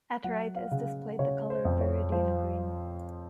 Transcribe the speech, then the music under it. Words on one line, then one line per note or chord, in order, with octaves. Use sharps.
At right is displayed the color viridian green.
F#3 F#5
F5
C#3
C#3 C#5
C5
F2
C#5
F3 C5